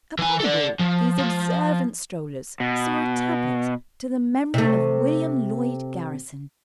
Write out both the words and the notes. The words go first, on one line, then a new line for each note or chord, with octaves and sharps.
Upon a wall these observant strollers saw a tablet to the memory of William Lloyd Garrison.
E3 G#5
A4 D5
F3
F3
B2
C3 A3